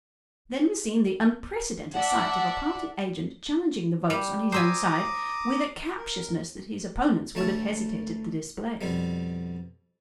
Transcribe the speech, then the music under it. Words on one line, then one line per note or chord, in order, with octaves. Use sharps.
Then was seen the unprecedented sight of a party agent challenging the votes on his own side with a captiousness that his opponents would have hesitated to display.
D5 E5 F#5 A5
G3
C5 E5 G#5 A#5 D6 D#6
A#4
D2 A3 C#5 A5
F2 B2 G3